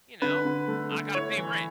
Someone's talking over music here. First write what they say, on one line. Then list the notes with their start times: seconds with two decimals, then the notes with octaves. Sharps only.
you know, "I gotta pay rent,"
0.22 D3 B4
0.45 D3
0.68 A3
0.92 A3
1.14 E4 C#5
1.37 E3